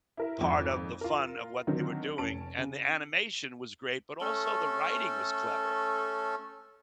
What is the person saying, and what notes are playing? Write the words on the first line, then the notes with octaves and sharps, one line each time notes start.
part of the fun of what they were doing, and the animation was great, but also the writing was clever.
E4 A#4 E5
G#1 F2
F4 A#4
D3 D#3 F#3 C4
F1 C#4 A5 D7
C#3
A3 C#4 A4